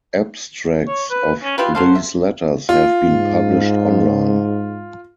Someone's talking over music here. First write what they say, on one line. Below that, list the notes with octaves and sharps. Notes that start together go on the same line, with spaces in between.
Abstracts of these letters have been published on line.
C#5
B4
C#4
E4 F4 G4 B4
F#3 A4 C5 F5
E5
F4
G#2